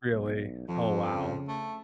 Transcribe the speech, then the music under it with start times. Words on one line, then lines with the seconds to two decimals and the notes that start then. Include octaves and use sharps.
Really? Oh, wow.
0.12 B1
0.69 F2 F3
1.13 C#3
1.48 A3